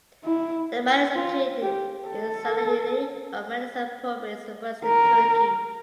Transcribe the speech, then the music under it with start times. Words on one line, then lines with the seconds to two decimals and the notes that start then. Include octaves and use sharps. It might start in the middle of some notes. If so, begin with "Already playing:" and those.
The mine is located in Salihli of Manisa Province in western Turkey.
0.24 E4
1.16 F4
1.62 G4
2.08 A4
4.85 A#4